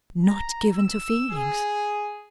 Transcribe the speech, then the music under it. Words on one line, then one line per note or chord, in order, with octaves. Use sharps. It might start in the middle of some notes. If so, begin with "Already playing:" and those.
Not given to feelings!
A#5
E6
G#4